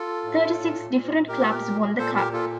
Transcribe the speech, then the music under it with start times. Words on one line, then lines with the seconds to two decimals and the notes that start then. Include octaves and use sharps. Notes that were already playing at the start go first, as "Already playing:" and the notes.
Thirty-six different clubs won the cup.
Already playing: F4 A4
0.24 A2
0.58 A#2
0.93 A#2
1.28 A#2 G4 A#4
1.64 A#2
1.98 A#2 A4 C5
2.16 G4 A#4
2.33 A#2 F4 A4